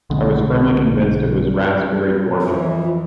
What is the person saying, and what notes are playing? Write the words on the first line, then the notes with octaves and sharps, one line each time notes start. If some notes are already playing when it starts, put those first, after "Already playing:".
I was firmly convinced it was raspberry cordial.
B1 D3 G#3 B3
F2 E3 F4